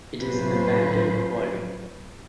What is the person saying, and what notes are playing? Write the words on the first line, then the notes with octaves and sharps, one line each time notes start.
It is an abandoned Quarry.
A2 F#3 C#4 F4 B4 C5